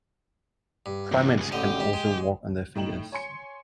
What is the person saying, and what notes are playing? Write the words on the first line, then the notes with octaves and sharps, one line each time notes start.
Primates can also walk on their fingers.
G2
E2 A#2
C#2 G#4
A1 D3 G4 D#5
G3
G#3
A2 D#4 G5 E7 F#7
C#5 G#5 C6 C#7